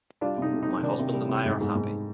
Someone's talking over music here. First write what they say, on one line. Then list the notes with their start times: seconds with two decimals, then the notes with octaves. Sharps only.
My husband and I are happy.
0.21 G3 D4 F4
0.38 C3 D#4
0.52 C3
0.63 C3 D#4
0.83 D#3 D4
0.99 C3
1.13 G3
1.29 C3
1.45 G#2
1.61 G#2
1.75 G#2